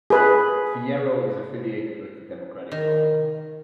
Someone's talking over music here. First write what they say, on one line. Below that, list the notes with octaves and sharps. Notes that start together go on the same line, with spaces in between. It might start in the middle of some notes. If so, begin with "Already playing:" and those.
Fierro is affiliated with the Democratic Party.
G#4 B4
D#3